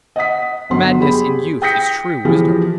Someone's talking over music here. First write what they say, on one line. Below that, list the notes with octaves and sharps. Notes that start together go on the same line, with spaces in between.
'Madness in youth is true wisdom.
D#5 F#5 D#6 B6
G1 F#3 C6
G4 G#4 B5
G5 D#6 G6 A#6 B6 C#7
E3 F3 F4 G4 G#4